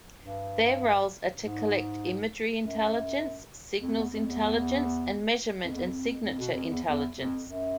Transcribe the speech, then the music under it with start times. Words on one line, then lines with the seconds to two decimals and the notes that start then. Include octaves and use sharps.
Their roles are to collect imagery intelligence, signals intelligence, and measurement and signature intelligence.
0.20 G2
1.41 G#2
2.61 F#2
3.82 F2
3.97 E2
4.13 F2
4.28 E2
5.64 F2
5.75 E2
5.87 F2
6.24 F2
6.39 B2
6.54 F2
6.69 E2
6.85 E2
7.16 F2
7.45 F#2